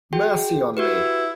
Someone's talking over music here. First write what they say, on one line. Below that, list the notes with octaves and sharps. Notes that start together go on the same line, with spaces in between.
Mercy on me!
F#4 G#4 G5
E4 F#4 G4 B4